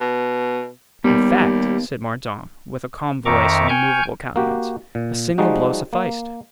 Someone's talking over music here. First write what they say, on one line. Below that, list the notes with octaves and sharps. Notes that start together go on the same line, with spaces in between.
"In fact," said Mordaunt, with a calm voice and immovable countenance, "a single blow sufficed."
B2
D#2 G3 B3
F2 D#3 E5 A#5 C#6 D6
G5 G#5 C#6 F6 G6
A#3 F#4 G4
A#2
F3 G3 G#3 D#4 F#4
A#3